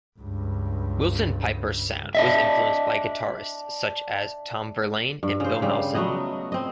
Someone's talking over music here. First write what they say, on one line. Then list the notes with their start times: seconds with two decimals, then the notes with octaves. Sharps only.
Willson-Piper's sound was influenced by guitarists such as Tom Verlaine and Bill Nelson.
0.18 C#2 G2
2.15 D4 D#5 E5
5.23 G2
5.40 C#3 C5
5.62 C#3 G3
5.95 F#3 A3 B3 D#5
6.52 C4 D#5